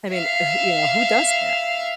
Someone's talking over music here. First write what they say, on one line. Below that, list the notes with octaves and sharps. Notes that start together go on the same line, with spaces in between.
I mean, e wh you know, who does that?
E5 F5